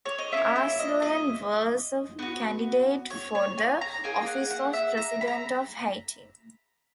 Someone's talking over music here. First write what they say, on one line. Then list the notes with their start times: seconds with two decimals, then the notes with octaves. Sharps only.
Arcelin was a candidate for the office of president of Haiti.
0.05 C#5
0.18 D#5
0.32 A#3 C#4 E4 E5
0.56 E5
0.79 D#5
1.02 D#5
2.19 B3 F#4
3.10 C#5
3.35 C#5
3.58 G#5
3.81 A#5
4.04 A#3 D#4 G#4 G#5
4.27 F#5
4.50 F#5
4.73 E5
4.97 A#5
5.21 B5
5.28 A#5